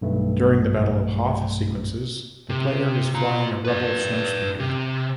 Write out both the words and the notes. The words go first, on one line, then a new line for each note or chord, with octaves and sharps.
During the Battle of Hoth sequences, the player is flying a Rebel snowspeeder.
B1 G2 A3
C3
F4 A#5
B4 D5
C3